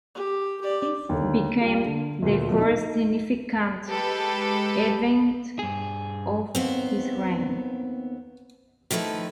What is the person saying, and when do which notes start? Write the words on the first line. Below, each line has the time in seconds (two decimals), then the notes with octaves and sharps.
This became the first significant event of his reign.
0.15 G4
0.61 G4 D5
1.09 D#2 D3
1.61 G3 F4
1.85 D3
2.22 D2 A#2
2.49 B2 F3
2.61 D#4
3.87 G#3 G4 A4 B4
5.59 G2 G#4
6.55 D#2 B3 C4
8.91 D#3 F3 A3 E4 B4